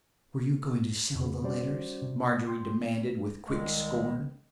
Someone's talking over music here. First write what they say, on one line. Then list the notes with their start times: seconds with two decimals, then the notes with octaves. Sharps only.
"Were you going to sell the letters?" Margery demanded, with quick scorn.
1.15 F2 C#3
1.43 G3 C#4 F#4 C5 D5
2.02 C3
2.28 G5
2.47 G5 C6
3.48 C2 D#3 G#3